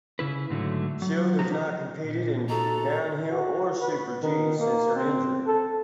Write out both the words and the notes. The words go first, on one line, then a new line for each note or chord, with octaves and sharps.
Schild has not competed in downhill or super-G since her injury.
C#3 E4 B4
G#2 D3 F#3 A3
F#3
F3 F#3 D#4 G4 A#5
A#2
D#4 F#4 A4 A#5
F#4
B4
D#3
A#3
C4
A4